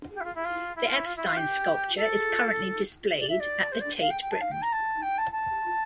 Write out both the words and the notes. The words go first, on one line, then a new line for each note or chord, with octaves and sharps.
The Epstein sculpture is currently displayed at the Tate Britain.
G4
E4
F4
E4
F4
E4
F4
E4
F4
E4
F4
G4
A4
D5
E5
D5
C5
D5
F5
G5
G5
A5
F5
G5
A#5
A5
G5
A5
A5